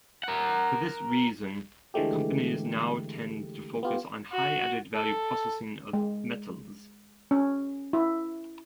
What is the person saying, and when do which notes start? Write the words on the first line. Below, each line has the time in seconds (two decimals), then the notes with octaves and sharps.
For this reason, companies now tend to focus on high added-value processing of metals.
0.23 A#4 F#5
1.94 D3 E3 G#3 A3 G4
3.83 B3 F4 G4
4.32 F#4
4.94 A4
5.93 G#3
7.31 C#4
7.93 E4